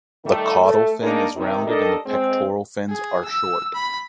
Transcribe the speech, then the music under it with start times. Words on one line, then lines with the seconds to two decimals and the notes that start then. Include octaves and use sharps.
The caudal fin is rounded and the pectoral fins are short.
0.25 D#3 G3 A3
0.60 A3 A4
1.00 G#3 A#3 D4 D#4 A#4
1.36 C3 D#3
1.66 D#3 G3 D4 A4 A#4 D#5
2.06 G#3 C4
2.89 G#4
3.25 E6
3.75 B5